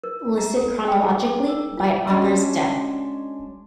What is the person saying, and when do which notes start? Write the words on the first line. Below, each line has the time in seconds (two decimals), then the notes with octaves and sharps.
Listed chronologically, by authors death.
0.04 A#4
0.38 A#5
0.57 A4
0.88 G5
1.02 G#4
1.27 D6
1.48 A#4
1.77 F4
2.07 G#3 C#4 D4 F#4 D5 D#5